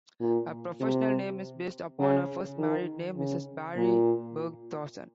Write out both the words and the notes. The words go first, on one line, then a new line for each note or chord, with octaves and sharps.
Her professional name is based upon her first married name, Mrs Barry Bergthorson.
A#2
C3
C#3
D#3
C#3
A#2